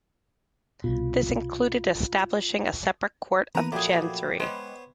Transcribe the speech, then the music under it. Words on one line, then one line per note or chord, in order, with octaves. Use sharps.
This included establishing a separate Court of Chancery.
C2 B2 F4
E3 A#3 B3 B4 A#5 D#6
A#2 F3 F#3 A3 G#4 G5 B5 D6
G#3 B3 C5 C#5